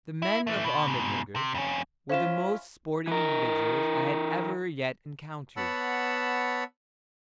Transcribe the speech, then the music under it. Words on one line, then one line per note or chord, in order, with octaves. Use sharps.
The men of Ahmednugger were the most sporting individuals I had ever yet encountered.
E4
E3 A3
B2
G#2 B2
C3
F2 C#4
C#4 E4 F4 C5 F5 E7
E3 A#4
B3 C#5 F#5 A5 B5 E6